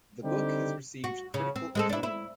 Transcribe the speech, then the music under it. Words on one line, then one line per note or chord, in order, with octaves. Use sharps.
The book has received critical acclaim.
D3 G3 C4 D#4 G4
F#4
C#3
C4
G#3 C4 A4
D4 E4
E4